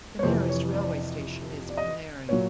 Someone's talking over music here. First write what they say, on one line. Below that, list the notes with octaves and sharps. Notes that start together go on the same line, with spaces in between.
The nearest railway station is Ponneri.
C#5
F2 C3 E3 C5
C#5
D5
D5
D#5
A#2 F#3 C#5